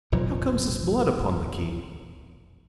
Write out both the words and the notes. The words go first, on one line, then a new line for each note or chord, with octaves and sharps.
"How comes this blood upon the key?"
F1 B1 A#2 F3